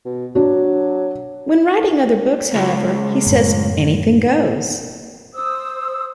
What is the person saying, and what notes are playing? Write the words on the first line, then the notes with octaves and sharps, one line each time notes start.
When writing other books, however, he says, Anything goes.
B2
F#3 D4 F#4
C#2
F#2 A2
C5 D#6 E6